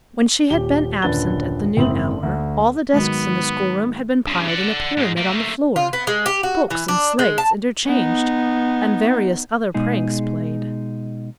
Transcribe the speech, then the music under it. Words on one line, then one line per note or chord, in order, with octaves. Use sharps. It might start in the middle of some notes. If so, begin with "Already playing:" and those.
When she had been absent at the noon hour all the desks in the schoolroom had been piled in a pyramid on the floor, books and slates interchanged, and various other pranks played.
D#1 G4 G7
D#1 F#2 D3 B4 A6 G7
F#1 G#2 C4 E4 D#6 F#7
D2
G#2 D#3 F#3 B3
G2 C#3
D5 F#5
G#2 G#3
A3 A#3
F4
B3
G#3
G4
F#4
E3
D4
G#3
A5
B3 D#4
B2 G#3 D#4 G#4